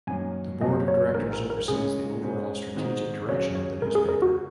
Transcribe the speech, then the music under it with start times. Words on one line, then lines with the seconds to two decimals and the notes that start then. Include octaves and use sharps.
The Board of Directors oversees the overall strategic direction of the newspaper.
0.07 F#2 D#3 A#3 C#4 G#5
0.61 F#1 F#2 F#3 A#3 C#4 D#5
0.88 C#5
1.14 A#1 G#2 D#3 A#4
1.33 A#4
1.50 A#4
1.68 C#2 C#3 G#3 C#4 G#4
2.22 G#2 G#3 C#4
2.75 G#1 G#2 D#3 G#3 D#4
3.28 D#2 C#3 F#3 C#5
3.55 C#5
3.82 C#2 C#3 G#3 A#4
3.95 G#4
4.09 A#4
4.22 F#4